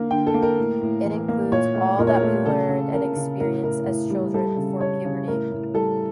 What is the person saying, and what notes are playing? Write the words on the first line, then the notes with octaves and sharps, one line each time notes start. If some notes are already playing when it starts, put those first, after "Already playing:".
It includes all that we learned and experienced as children, before puberty.
Already playing: D3 A#3
D3 G5
A4
A#3
A#4
A2
A2
E3
A#3
A#2 C#5
A3
A#2 A#4
C#5
A#4
A3
C#3 A4
C#3
C#3 A#4
C#3
A2 A#4
A2 A#4
A2
G3
G3 A4
C#3
G3 C#5
C#3
A2 A#4
A2
G3 A4